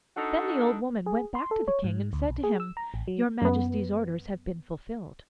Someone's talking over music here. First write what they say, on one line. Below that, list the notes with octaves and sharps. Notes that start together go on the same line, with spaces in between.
Then the old woman went back to the King and said to him, 'Your Majesty's orders have been fulfilled.'
D4 D#4 F#4 A4
G#4
C6
A4
C#5
G#2
D2
B1
G#4
E6
A#5
A1
F#3
F#2 B3